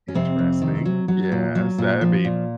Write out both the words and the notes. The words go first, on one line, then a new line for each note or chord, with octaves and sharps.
Interesting. Yes. That'd be
C#4
F2 C3 C4
F2
D#3
F#3
F#3
A#2
F#3
A#2
F3
A#2